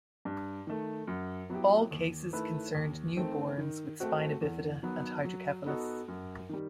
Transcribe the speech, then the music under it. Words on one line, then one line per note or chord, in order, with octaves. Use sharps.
All cases concerned newborns with spina bifida and hydrocephalus.
G2
D#3 A3
F#2
F#3 B3 E4 G4
D#2
D#3 A3 E4 B4
D#2
D#3 A3 C4
D#3
A3 C4 F#4
E2
D#3 F#3 B3
F#3
B3 D#4 F#4 A4
F#2
D#3 G3